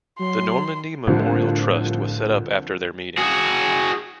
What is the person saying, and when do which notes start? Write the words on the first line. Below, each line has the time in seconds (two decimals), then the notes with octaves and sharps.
The Normandy Memorial Trust was set up after their meeting.
0.19 F#3 C6
1.07 C2 A2 D3 F3
3.18 F#4 G#4